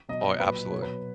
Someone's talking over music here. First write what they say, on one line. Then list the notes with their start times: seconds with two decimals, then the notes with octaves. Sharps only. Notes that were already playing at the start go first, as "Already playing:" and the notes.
Oh, absolutely.
0.08 B2 F#3 D#5
0.40 A#2 F#3 B4
0.72 B2 F#3 C#5
0.82 B4